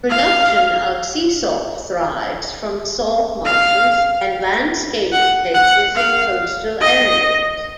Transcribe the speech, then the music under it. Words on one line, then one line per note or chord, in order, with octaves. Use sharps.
Production of sea salt thrives, from salt marshes and landscaped places in coastal areas.
F5
F5
F#5
F#5
F5
D#5